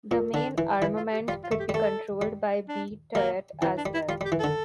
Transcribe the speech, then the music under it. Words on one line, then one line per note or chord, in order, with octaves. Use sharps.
The main armament could be controlled by 'B' turret as well.
A#2
D3 D4
E3
E3 E4
F4
G4
G3 F4
F4
A3
G4
G3
A3 A4
G3
D4
G3 A#3
E3 C4
D4
G3
E4
G3 F4
G3
G4
E3
D3 A4